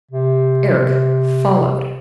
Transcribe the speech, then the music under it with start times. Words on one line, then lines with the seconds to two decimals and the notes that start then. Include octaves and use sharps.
Eric followed.
0.11 C3